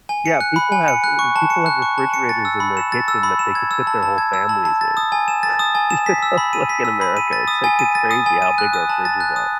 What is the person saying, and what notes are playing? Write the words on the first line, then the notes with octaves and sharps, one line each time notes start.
Yeah, people have uh uh, people have refrigerators in their kitchen that they could fit their whole families in, you know, like, in America, it's, like, it's crazy how big our fridges are.
G#5
C#7
F#6
B5
G#5
C#7
F#6
C#6
A5
C#7
F#6
C#6
A5
C#7
A6
E6
B5
E7
A6
E6
B5
E7
G#6
E6
A5
A5
G#6
E6
A5
A5
A6
D#6
G#5
E7
A6
D#6
G#5
E7
B6
E6
B5
D#7
B6
E6
B5
D#7
A6
D#6
G#5
D#7
A6
D#6
G#5
D#7
F#6
D#6
A5
A6
F#6
D#6